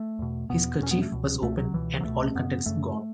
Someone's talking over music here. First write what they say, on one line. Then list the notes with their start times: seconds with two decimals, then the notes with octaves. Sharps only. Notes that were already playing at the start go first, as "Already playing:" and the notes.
His kerchief was open and all contents gone.
Already playing: A3
0.19 E2 B2
0.49 E2 B2 B3
0.80 E2 B2 C#4
0.91 B3
1.02 A3
1.12 C#2 B2
1.42 C#2 B2 A3
1.58 F#3
1.73 C#2 B2 E3
2.01 F#3
2.04 C#2 B2 A3
2.35 F#2 C#3 B3
2.66 F#2 C#3 A3